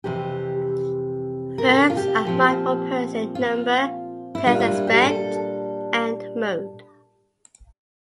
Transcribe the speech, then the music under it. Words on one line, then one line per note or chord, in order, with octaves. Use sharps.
Verbs are marked for person, number, tense-aspect, and mode.
F2 C3 E3 G4
A#4
A4
F4
G4
A#2 F3 C4
F4
E4
A#2 G3 D4 F4
F4
E4
G4
A4